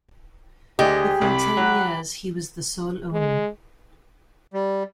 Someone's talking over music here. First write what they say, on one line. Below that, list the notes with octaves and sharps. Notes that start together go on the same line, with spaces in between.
Within ten years he was the sole owner.
D2 G4 G#4 D#5
C2 B5 D6
F#3 F#5
G#3
G3